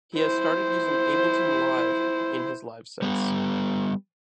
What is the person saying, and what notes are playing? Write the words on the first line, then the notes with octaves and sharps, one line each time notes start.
He has started using Ableton Live in his live sets.
E4 C5
G3 B3 B4